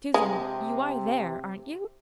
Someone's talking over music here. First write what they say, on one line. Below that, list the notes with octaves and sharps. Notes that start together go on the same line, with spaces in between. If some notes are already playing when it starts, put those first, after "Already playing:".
"Susan, you are there, aren't you?"
C3 G#3